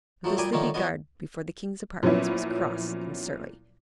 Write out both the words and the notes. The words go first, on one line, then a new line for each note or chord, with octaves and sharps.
But the sleepy guard before the King's apartments was cross and surly.
F3 F#3 A3
A#2 G3 G4 G5 G#5 D#6
D3 D#3 F3 A3 C#4 D#4
F3 B3 C#4 D#5
A#2 F3 F#3 B3 C#4 E4